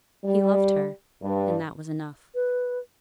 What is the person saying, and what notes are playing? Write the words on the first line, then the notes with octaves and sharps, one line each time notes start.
He loved her, and that was enough.
G3
G2
B4